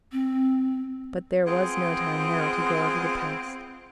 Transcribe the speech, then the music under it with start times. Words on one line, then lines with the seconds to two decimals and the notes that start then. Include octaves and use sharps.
But there was no time now to go over the past.
0.12 C4
1.47 G#3 B3 C4 F4